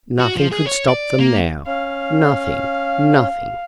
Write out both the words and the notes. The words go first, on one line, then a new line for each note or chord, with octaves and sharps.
Nothing could stop them now, nothing, nothing.
F#4
F3
G#4
C#5
D5
A#3
C#4 F5